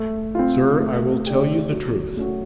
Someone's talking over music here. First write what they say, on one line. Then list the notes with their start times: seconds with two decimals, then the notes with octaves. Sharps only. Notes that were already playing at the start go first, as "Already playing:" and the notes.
'Sir, I will tell you the truth.
Already playing: A3
0.35 C4 F4
0.80 A3
1.26 D4 G4
1.72 F#3
2.17 A3 C#4 F#4